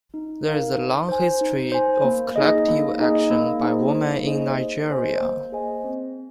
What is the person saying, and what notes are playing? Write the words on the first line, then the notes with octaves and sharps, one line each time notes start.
There is a long history of collective action by women in Nigeria.
D#4
A#4 F5
D#4
C5 G#5
D#4
C5 G#5
A#3
D#4 G#4 D#5
A#3
D#4 G#4 D#5
A#3
D#4 G#4 C5 D#5
A#3
D#4 G#4 C5 D#5
A#3
G#4 C5 D#5 G#5
A#3
G#4 C5 D#5 G#5
C4